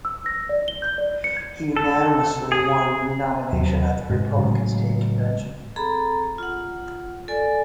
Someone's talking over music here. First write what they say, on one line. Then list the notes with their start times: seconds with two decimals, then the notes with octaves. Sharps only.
He unanimously won renomination at the Republican state convention.
0.05 E6
0.26 A#6
0.49 D5
0.68 G7
0.82 G6
0.98 D5
1.24 C#7
1.37 G#6
1.77 A4
2.52 G#4
3.52 D#2 F#3 C4
4.09 G#2 C3 G#3
4.37 A2 C#3 F#3 G#3
5.76 C4 G#4 A4 A#5 B5
6.38 F4 F#5
7.28 A4 D5 G#5